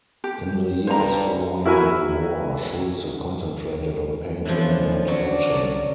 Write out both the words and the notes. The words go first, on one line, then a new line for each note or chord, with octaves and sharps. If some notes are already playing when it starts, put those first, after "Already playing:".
In the years following the war, Schulze concentrated on painting and etching.
G4
G2 C5 A#5
E4 F#4 A#4 E5 G#5 B5
E3 F3 C4 D4 A4 C#5
D3 F#3 C#4 D4 D5